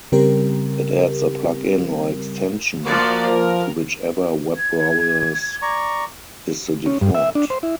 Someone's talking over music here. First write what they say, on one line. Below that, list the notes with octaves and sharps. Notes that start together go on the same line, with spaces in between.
It adds a plugin or extension to whichever web browsers is the default.
C#3 G3 C4 G4 A#4
F3 A#3 F#4 D5
F3 A#4
G#6
D5 A#5 C#6
C#4
G2
E5
D4
C5
E4